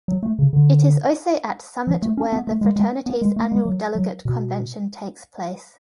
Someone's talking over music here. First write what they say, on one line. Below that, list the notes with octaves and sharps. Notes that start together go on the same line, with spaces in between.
It is also at Summit where the fraternity's annual Delegate Convention takes place.
F#3
A3
C#3
D3
F3
A3
C#4
B3
A3
G#3
G#3
B3
G#3
A3
G#3
F#3
F#3
B2